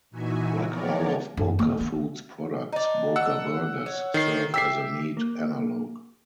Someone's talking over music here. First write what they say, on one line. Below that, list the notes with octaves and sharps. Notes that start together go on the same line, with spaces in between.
Like all of Boca Foods' products, Boca Burgers serve as a meat analogue.
A#2 E3 D#4 F#4 E5 G#5
F3 B3 A#4 C#5 D5
F#2
D#3 A#3
B3
D4 D#4
F#5 E6
C#5
D#3 C7
G4 E5 E6 B6 C7
A#3